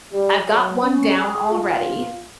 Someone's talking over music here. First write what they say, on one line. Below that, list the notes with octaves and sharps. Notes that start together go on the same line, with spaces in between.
I've got one down already,
G3
F#3
C#4
G#4
F4